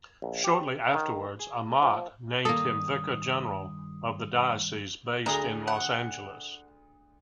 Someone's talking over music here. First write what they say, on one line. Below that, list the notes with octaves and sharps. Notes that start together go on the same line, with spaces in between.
Shortly afterwards, Amat named him Vicar General of the diocese, based in Los Angeles.
A#1
G4
D#3
G#4
F3
G2 D#3 A#3 A4 D#6
D2 G#4 A#5
F#5